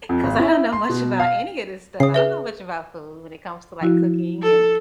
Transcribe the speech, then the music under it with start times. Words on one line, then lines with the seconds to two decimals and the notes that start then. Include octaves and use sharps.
'cause I don't know much about any of this stuff. I don't know much about food when it comes to, like, cooking and,
0.09 F2
0.23 G#1
0.40 E4
0.73 C6
0.89 B2
1.20 F5
2.00 C#3 D#6 C7
2.14 G#4 B4 E5
3.81 F3 E4 F#4
4.42 A4